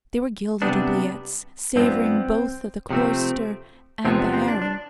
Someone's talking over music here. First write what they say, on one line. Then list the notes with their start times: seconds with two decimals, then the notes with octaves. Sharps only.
They were gilded oubliettes, savouring both of the cloister and the harem.
0.62 C3 G3 B3 D4
1.76 G2 F3 B3 C4
2.90 C3 F3 A3 C4
4.05 E2 C3 F3 B3 C4
4.19 D4
4.33 C4
4.48 D4
4.62 D4